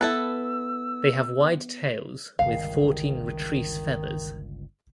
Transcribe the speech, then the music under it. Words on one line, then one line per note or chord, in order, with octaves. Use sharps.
They have wide tails with fourteen retrice feathers.
B3 E4 A4 B4 E6
G1 C#2 G2 D#3 F5